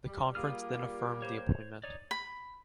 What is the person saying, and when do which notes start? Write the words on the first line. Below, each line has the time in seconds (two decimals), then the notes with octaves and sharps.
The conference then affirmed the appointment.
0.06 G3
0.35 G3 A#3 F4 G#4 F6
1.22 C5 C#5
1.84 D#4 C#5 D5
2.11 B5